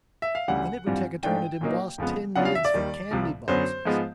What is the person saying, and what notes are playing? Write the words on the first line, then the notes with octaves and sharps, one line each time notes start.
Then it would take a turn at embossed tin lids for candy boxes.
E5
F5
D2 C#3 E3 G3 F#5
G2 E3 G3 C4 F4
G#2 E3 A3 D4 F4 G5
A#2 F#3 A#3 D#4
F2 C#3 F3 G#3 B3
C#3 F#3 B3 D4 F4 F#5
F5
E5
D5
D#2 D#3 G3
C2 C3 F3
F#2 D3 F#3 B3 C5
G#2 F3 G#3 B3